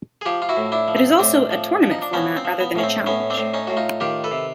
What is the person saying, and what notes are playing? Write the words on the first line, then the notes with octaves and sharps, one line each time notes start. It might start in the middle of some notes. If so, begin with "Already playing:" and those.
It is also a tournament format, rather than a challenge.
G#4
F3 F4 G4
F4
E4 F#4
A2
D4 E4
F3
C4
A2 C4 D4
F3
F3
D#4
D4
F3 B3 C#4
C4
F3
B3
A2 C#4
C4
A2 B3 C#4
C4 D4
A2
C#4 D#4
A2 F#4
D#4 F4
D#3 F4 G4
A4 B4
C3